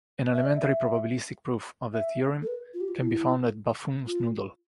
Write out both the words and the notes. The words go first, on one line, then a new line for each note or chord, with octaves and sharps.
An elementary probabilistic proof of the theorem can be found at Buffon's noodle.
E5
D5
E5
E5
A4
B4
F4
G4
F4
E4
F4